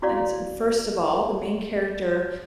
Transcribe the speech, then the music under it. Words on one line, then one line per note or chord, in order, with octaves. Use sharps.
And first of all, the main character,
E4 F#4 C#5 D5 F5